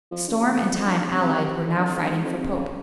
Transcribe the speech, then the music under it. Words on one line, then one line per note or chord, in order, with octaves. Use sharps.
The storm and time allied were now fighting for Pope.
F3
C#3
E2
F2
F2
G2
G#2
C3
C3
F2
G2
F2
G2
G#2
F2
C3
C#3